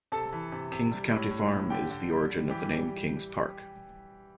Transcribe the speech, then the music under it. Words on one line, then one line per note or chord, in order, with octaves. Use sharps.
Kings County Farm is the origin of the name Kings Park.
C3 A4 A5
E3
C3
C3
G3
A2
A2
A2
D3 G4 G5
D3
G3
G3
E3 G4 G5
G3